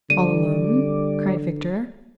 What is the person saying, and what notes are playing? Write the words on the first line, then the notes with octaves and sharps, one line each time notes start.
"All alone?" cried Victor.
D3 G3 D5 D#7